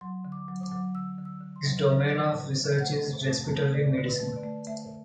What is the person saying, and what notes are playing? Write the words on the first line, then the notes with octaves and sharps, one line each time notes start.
His domain of research is respiratory medicine.
F#3 C6
D3
D6
F#3
D6
F#3
D3 E6
D3
E6
D3
C6
F#3
D3 E5
D3
D3
D3
A3 F#5
A3
A3
A3
A3 D5
D3
B4
A3
D5
A3
A3 E5